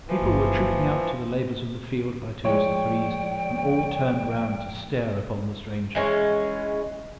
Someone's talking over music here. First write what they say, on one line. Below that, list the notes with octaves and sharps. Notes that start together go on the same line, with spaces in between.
People were trooping out to the labours of the field by twos and threes, and all turned round to stare upon the stranger.
E3 F3
G1 A#3
F3 G#3 C#5 D5 G5
E3 G#3 C#4